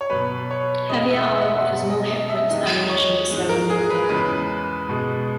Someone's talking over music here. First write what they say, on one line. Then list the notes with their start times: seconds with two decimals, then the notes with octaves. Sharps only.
Heavier armor offers more hit points and ammunition but slower movement.
0.01 C#5
0.10 B2 F#3 B4
0.51 C#5
0.89 E2 B2 G#3 D#5
1.10 E5
1.24 F#5
1.30 E5
1.41 F#5
1.49 E5
1.70 B2 F#3
1.90 D#5
2.10 D#5
2.30 E5
2.49 E2 D#3 G#3 D#5
2.90 C#5
3.30 G#2 E3 G#3
3.49 A#4
3.70 G#4
3.90 B4
4.09 E2 C#3 G#3 B4
4.89 B2 G#3